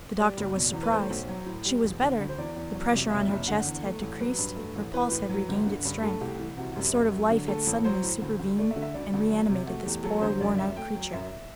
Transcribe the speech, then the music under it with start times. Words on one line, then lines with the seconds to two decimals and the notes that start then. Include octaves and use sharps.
The doctor was surprised; she was better; the pressure on her chest had decreased; her pulse had regained its strength; a sort of life had suddenly supervened and reanimated this poor, worn-out creature.
0.19 G3 D5
0.37 F#1
0.55 B2
0.73 E2
0.83 B4
0.92 A3 C5
1.10 B1
1.28 F#3
1.46 A2
1.65 G3
1.84 E1
2.02 D3
2.20 D2
2.29 C5
2.38 E2 D5
2.56 E2
2.75 F#3
2.92 C3
3.10 F#1 E5
3.29 F#1
3.47 D3 F#5
3.66 E2
3.84 A3
4.01 A1
4.20 F#3 B4
4.38 G2
4.56 A3
4.75 A1
4.94 E3 B4
5.11 A2
5.29 F#3
5.49 G1
5.66 D3
5.85 G2
6.03 A3 A4
6.21 C2 G4
6.39 E3
6.57 C3 F#4
6.71 F#4
6.75 F#2 G4
6.94 F#2
7.11 F#3
7.31 D3
7.48 A3 A4
7.66 A1
7.84 F#3 C5
8.03 A2
8.22 D2
8.39 D2
8.59 A3 D5
8.71 E5
8.76 D3
8.82 E5
8.94 D2 D5
9.13 D2
9.31 F#3
9.49 C3
9.67 A3 F#4
9.85 E2 G4
10.04 F#3 A4
10.21 D3 C5
10.40 F#2 D5
10.58 F#2 E5
10.76 A3 G5
10.95 F#3
11.13 F#2 E5